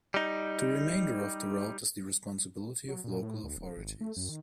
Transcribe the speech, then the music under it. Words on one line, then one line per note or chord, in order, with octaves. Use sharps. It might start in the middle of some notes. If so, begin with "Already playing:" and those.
The remainder of the route is the responsibility of local authorities.
G3 D#4
F#3
A#2
A2
D2
D1
G#1
A3
F#2
D#3